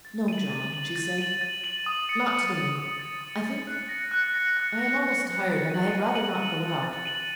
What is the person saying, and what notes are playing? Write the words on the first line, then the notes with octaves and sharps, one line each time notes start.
"No, John," she said; "not to-day, I think. I am almost tired, and I had rather not go out."
A6
D#7 F#7
A6
D#7 F#7
A6
D#7 F#7
A6
D#7 F#7
D#6
A6 C#7
D#6
A6 C#7
D#6
A6 C#7
D#6
A6 C#7
F#6
A#6 C#7
F#6
A#6 C#7
F#6
A#6 C#7
F#6
A#6 C#7
A6
D#7 F#7
A6
D#7 F#7
A6
D#7 F#7
A6
D#7 F#7